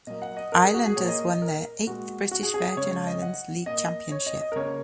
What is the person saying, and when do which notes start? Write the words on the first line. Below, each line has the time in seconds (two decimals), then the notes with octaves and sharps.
Islanders won their eighth British Virgin Islands league championship.
0.07 A#2 F#3 A#3 D#5
0.22 F#5
0.37 D#5
0.52 A#4
0.63 G#4
0.74 F#4
0.86 G#4
0.96 A#2 A#3 C#5
1.08 D#5
1.31 D#5
1.42 A#4
1.86 A#2 G#3 F#4
2.31 F#4
2.43 G#4
2.54 G#4
2.65 G#4
2.77 C#3 G#3 C#5
2.91 C#5
3.07 D#5
3.22 F#5
3.66 A#2 A#3 D#5
4.11 C#5
4.26 D#5
4.41 D#5
4.52 A#4
4.56 C#3 A#3 C#5